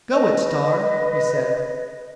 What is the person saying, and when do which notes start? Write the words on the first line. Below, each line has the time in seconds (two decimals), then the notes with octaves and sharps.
"Go it, Star!" he said.
0.12 B4 D#5